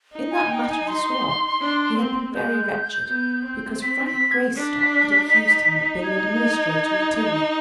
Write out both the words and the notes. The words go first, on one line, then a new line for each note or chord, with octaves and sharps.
In that matter of the Sawab he had been very wretched, because Frank Greystock had accused him of being an administrator of tyranny.
D#4
G#5
G5
G#5
C6
D4
C4
G#3 G6
B3
C4
B6
B6
G#6
D4 B6
D#4
G#6